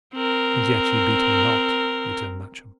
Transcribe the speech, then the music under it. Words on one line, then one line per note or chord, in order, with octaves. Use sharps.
"And yet ye beat me not," returned Matcham.
C4 A#4